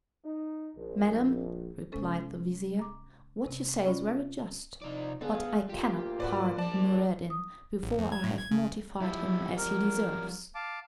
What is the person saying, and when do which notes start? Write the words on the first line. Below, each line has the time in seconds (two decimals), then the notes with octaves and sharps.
"Madam," replied the vizir, "what you say is very just, but I cannot pardon Noureddin before I have mortified him as he deserves."
0.24 D#4
0.76 A#1
1.92 C3 G#3 B3 C#4 A4 C5
2.79 A#5 D6
3.47 C3
3.86 C#4 F4 D5 B5
4.82 C3 F3 D#4 D5
5.21 D3 B3 G#4 F5
5.69 D2 A#3 F4 G4
6.20 G#2 F#4 B4 D5
6.58 A#1 G3 D5 A5
7.30 D#6
7.83 A1
7.99 F2
8.12 G#6
8.24 A2
8.39 G#6
8.51 C#3
9.01 F3 G3 E4
9.57 A#4
10.55 F5 A5 D6